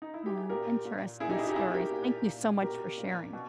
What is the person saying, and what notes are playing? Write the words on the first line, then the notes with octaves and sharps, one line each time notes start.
Wow. Interesting stories. Thank you so much for sharing.
D#4
E4
G4
G#4
A#2 G4 A#4
A#2
A#2 E4 G#4
D#4 G4
E4 G#4
D#4 G4
B2 E4 G#4
G4 A#4
A#2
A#2
B2 G4 A#4
A#2
B2